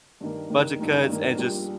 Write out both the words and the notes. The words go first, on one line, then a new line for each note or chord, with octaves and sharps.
Budget cuts, and just
G2 D#3 A#3
G2 D#3 A#3
G2 D#3 A#3
G2 D#3 A#3
A#1 A#2 G3